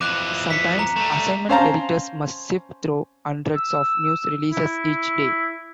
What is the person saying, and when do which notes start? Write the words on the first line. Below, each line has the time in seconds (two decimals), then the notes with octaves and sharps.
Sometimes, assignment editors must sift through hundreds of news releases each day.
0.01 F2 E3 D6 F#6
0.50 B6 C#7
0.79 A#5
0.96 G3 A3
1.49 C4 C#4 C5 F5 A5 A#5
3.56 E6
4.51 E4